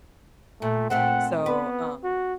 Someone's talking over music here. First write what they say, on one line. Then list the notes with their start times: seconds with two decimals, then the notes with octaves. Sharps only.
So, um,
0.62 A#2 A3
0.90 A#2 A3 C4 F#5
1.46 B3 B4
2.04 F#4